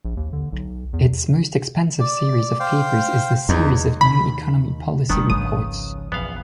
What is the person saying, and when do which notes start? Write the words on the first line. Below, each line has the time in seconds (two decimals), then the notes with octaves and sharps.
Its most extensive series of papers is the series of New Economy Policy Reports.
0.05 A#1
0.17 D#2
0.33 D3
0.52 B1
0.93 E2
2.00 D5
2.60 C5 F5 G5
3.49 E2 D#4
4.01 D#2 D#3 B5
5.10 D#3 F3 G3 B3 D4
5.30 G#1 C#2 C#3 F3 D#6
6.12 A#1 E2 B3 F5